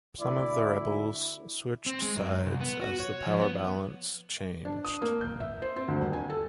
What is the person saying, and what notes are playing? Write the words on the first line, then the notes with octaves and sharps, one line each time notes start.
Some of the rebels switched sides as the power balance changed.
D2 E4 D5
C4
G#3
F#2
C2
B3
F#4
C#5
F3
B3
D4
D#6
A#3
G6
E5
C5
C4
D2
D#1
G#5
A4